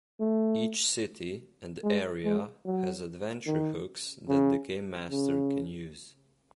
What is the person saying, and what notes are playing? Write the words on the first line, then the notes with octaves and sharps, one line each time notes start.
Each city and area has adventure hooks that the gamemaster can use.
A3
G#3
G#3
F#3
D#3
C#3
C#3